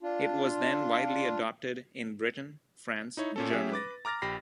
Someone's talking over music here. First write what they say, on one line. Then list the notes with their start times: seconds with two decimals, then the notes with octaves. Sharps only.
It was then widely adopted in Britain, France and Germany.
0.03 D4 F4
3.17 D#4 E4 C#5
3.36 A#2 C#4 A4
3.50 F#3 C#4 G4 G#4 E5
3.72 B4 D6 A6 A#6
4.05 A#5 D6 F6 A6 A#6
4.22 A#1 G4 B5 A#6 C7